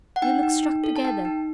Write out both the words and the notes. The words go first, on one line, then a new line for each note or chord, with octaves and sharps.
You look struck together.
F#5
D#4 G5
D#4
D#4
A4
A5
D#4 G5
D#4